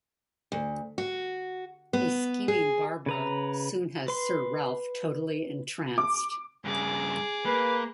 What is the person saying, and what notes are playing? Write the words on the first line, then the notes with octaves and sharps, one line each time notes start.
A scheming Barbara soon has Sir Ralph totally entranced.
D2
F#4
B3
G#4
C#3 B4 A#5
B4 C6
D6
G2 C#3 G#4 D6
A#3 B4